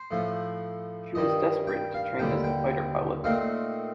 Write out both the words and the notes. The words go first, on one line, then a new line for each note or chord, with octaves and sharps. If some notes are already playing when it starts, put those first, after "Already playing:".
She was desperate to train as a fighter pilot.
Already playing: C5
A2 F3 A3
G2 D#3 G3 D#5
G5
F5
D#2 D3 G3 G5
G5
A#2 A3 C4 D#4 F5